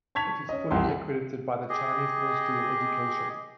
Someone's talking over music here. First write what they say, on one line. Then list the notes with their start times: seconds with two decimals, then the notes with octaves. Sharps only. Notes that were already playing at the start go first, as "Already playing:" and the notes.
It is fully accredited by the Chinese Ministry of Education.
0.15 A5 C#6 G#6 B6 F7
0.49 C#4 D#5
0.71 C2 G5 C6
1.69 G4 G#4 D#5